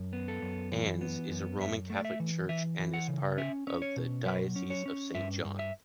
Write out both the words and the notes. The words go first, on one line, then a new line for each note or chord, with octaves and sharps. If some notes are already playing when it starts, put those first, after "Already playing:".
Ann’s is a roman catholic church and is part of the diocese of Saint-John.
Already playing: F#2
B3
A4
F#2
E3
B3
F#2
F#2 E5
A3
D5
E5
E3
E3 E5
E3
F#5
C#3
C#4 E5
C#4
C#5
B2
F#3 B4
C#4
C#5
C#4
G2 E5
G2
E5